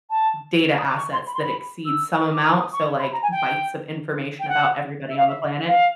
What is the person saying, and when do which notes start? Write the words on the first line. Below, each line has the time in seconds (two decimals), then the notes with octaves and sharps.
data assets that exceed some amount, so, like, bytes of information about everybody on the planet.
0.10 A5
0.78 D#6
0.88 D6
0.97 C#6
1.13 C6
1.27 B5
1.34 C6
1.43 B5
1.85 E6
2.34 D6
2.44 D#6
2.59 D#6
2.73 C#6
2.99 C6
3.02 B5
3.13 A#5
3.23 G#5
3.32 G5
4.40 G5
4.49 F#5
5.09 E5
5.17 F5
5.27 E5
5.67 F5